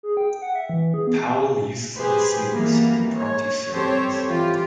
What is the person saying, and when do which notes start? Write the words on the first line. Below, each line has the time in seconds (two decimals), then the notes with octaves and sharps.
Powell uses them as symbols in impromptu sermons.
0.03 G#4
0.17 G5
0.42 F#5
0.55 E5
0.70 E3
0.94 G#4
1.07 B3
1.96 G4 G#4 B4 C5
2.54 E3 G3 A#3 B3
3.15 C#5
3.73 G3 C4 G4 A4 C5 C#5
4.28 E3 F4 G4